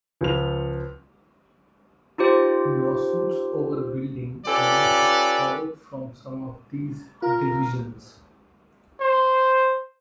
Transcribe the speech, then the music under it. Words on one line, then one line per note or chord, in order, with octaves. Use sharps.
Lawsuits over building ownership followed from some of these divisions.
C#2 F3 F7
D#4 F4 G4 C5
C#4 F4 G4 A4 B4 D5
F4 A#4
C5